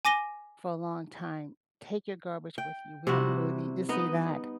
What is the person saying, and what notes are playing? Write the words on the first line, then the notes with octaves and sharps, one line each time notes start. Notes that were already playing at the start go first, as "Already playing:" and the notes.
for a long time. Take your garbage with you. We don't really need to see that.
G#5 D6 A#6 D#7 G7
G5
C3 G3 E4 F#4
B3 D#4 D#5